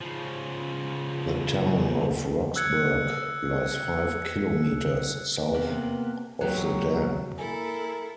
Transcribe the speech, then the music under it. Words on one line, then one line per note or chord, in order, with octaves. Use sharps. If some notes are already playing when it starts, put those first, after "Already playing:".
The town of Roxburgh lies five kilometres south of the Dam.
C#3 F3
E6 F#6 G#6 C#7
C3 A#3 B3
E2 F#3 C4 G4
A#3 E4 A4 A#4 G#5